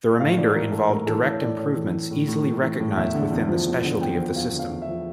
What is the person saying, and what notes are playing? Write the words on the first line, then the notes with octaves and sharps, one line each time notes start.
The remainder involved direct improvements easily recognized within the specialty of the system.
A2 F5
E3 D5
E3 A#4
A2 A4
A2 A#4
E3 A4
E3
C#5
A2 D5
A2 C#5
E3
E3
A2
A2
E3
E3
A2
E2 E5
D3
E2
F3
E2
D3
E2 G5
F3
E2 F5
D3
F5
E2
E5
F3